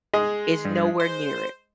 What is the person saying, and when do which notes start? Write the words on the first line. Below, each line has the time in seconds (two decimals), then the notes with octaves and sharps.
is nowhere near it.
0.13 G#3 G#4 D#5
0.65 G2
1.00 C5